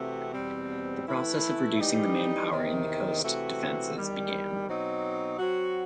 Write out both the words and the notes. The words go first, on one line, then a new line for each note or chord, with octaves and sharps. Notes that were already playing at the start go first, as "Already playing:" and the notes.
A process of reducing the manpower in the coast defences began.
Already playing: C3 E3 A3 C4 F#4
E2 B2 G3 C4
E3 A3 E4 B4
E3 G3 D#4 G4
E2 C3 D#3
C3 E3 A3 C4 F#4
E2 D#3 G3
B2 F#3 C4 D#4
F#3 C4 F#4